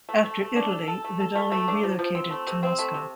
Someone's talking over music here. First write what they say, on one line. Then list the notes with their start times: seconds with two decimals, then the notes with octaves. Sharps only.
After Italy, Vidali relocated to Moscow.
0.09 A3
0.24 A3
0.41 A3
0.56 D4
0.72 A4
0.88 A4
1.04 A3
1.20 A4
1.35 A3
1.52 A3
1.68 D4
1.84 F3
1.99 F3
2.15 C4
2.31 A3
2.47 C3
2.63 C4
2.79 A3
2.94 C3